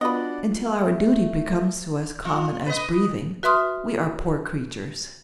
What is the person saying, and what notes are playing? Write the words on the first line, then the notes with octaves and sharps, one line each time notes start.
Until our duty becomes to us common as breathing, we are poor creatures.
B3 D4 F4 F#4 B4 D5 D#5 F#5
A3
F4
B4 D#5
F#4 B4 E5 C6 D#6 F6